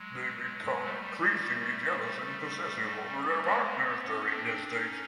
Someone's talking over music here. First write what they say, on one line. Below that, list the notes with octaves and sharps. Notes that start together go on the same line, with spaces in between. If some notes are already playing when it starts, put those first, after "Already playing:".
They becoming increasingly jealous and possessive over their partners during this stage.
Already playing: F#3 G#3
G3 A3
G#3 A#3
A3 B3
B3 C#4
C4 D4
C#4 D#4